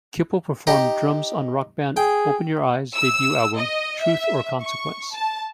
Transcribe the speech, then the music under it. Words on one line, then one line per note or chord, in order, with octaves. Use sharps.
Kippel performed Drums on rock band Open Your Eyes debut album "Truth or Consequence".
D#4 G4 D#5
G#4 G5
E6
D#5
E5
C#6
A5